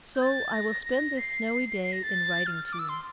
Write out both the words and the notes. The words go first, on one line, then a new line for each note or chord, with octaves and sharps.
So I will spend this snowy day in writing to you.
G6
A6
A#6
A#6
C7
C7
A#6
A6
F6
D6
E6
C6